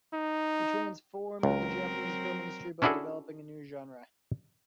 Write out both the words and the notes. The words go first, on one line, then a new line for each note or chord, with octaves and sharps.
He transformed the Japanese film industry by developing a new genre.
D#4
C#2 F#3 C4 A#4
C#4 D4 E4 F#4 G#4 A4